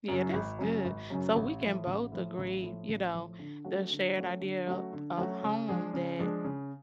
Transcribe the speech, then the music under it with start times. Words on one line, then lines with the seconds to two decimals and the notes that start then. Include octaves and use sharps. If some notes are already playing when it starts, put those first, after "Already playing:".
Yeah, that's good. So we can both agree, you know, the shared idea of of home that,
0.08 F#2 C#3 F#3
0.33 G#1
0.59 F#2 C#3 F#3
0.85 G#1
1.10 F#2 C#3 F#3
1.36 A1
1.61 A2 F3
1.87 A1
2.12 A2 F3
2.38 A1
2.62 A2 F3
2.88 A1
3.14 A2 F3
3.39 D3
3.65 F#3 A3 C#4 F#4
3.90 D3
4.16 F#3 A3 C#4 F#4
4.41 D3
4.67 F#3 A3 C#4 F#4
4.93 D3
5.18 F#3 A3 C#4 F#4
5.43 C#3
5.69 F3 G#3 D4 G#4
5.94 C#3
6.19 F3 G#3 D4 G#4
6.45 C#3